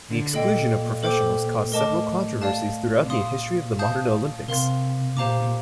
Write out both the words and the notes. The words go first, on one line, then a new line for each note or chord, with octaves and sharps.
The exclusion of professionals caused several controversies throughout the history of the modern Olympics.
D3
A#2 A4 D#5 G5
A4 C5 G5 D6
A2 A#4 D#5 A5 D6
D5 F5 A5
C3
A#2 F5 C6 D#6
F5 A5 D#6 G6
C3 A#4 F5 C6
A#2 G4 C5 F5 A#5 D6
A#2